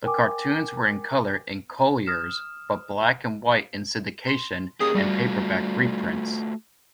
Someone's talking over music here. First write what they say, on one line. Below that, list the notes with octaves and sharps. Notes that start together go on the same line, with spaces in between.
The cartoons were in color in "Collier's" but black-and-white in syndication and paperback reprints.
A#4 G5 G#5 D6
D#6 F6 E7
C6
A#3 C#4 G4 G#4 D#6
G3 A3 F4 F#4